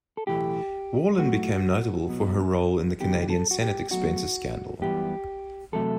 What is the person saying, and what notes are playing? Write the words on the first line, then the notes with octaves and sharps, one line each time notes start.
Wallin became notable for her role in the Canadian Senate expenses scandal.
A4
B1 A2 E3 A3 G4
A2 F#3 A3 F#4
C2 B2 F#3 B3
C2 C3 D#3 G3 B3 G4
G4
A4
F#4
G4
B1 B2 F#3 A3 F#4
F#2 E3 G3 B3 G4
E2 C3 F#3 A3 A4